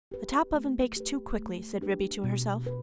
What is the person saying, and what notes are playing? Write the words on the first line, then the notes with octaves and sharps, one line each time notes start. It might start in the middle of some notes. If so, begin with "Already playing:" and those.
"The top oven bakes too quickly," said Ribby to herself.
G4 B4
A3
G4 B4
A3
D4 G4 B4
B2
B4